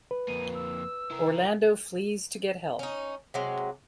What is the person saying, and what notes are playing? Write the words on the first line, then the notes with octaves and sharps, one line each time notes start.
Orlando flees to get help.
B4
F2 A#3 D#7
E6
E4 A#4
C#4 D#4
C3 F#3 G#3